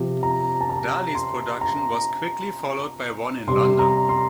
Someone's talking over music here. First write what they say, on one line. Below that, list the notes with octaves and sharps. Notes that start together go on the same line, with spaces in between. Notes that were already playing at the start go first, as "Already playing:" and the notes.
Daly's production was quickly followed by one in London.
Already playing: C3 F3
A#5
A5
A#5
C6
A#5
C3 G3 C6
A#5
C6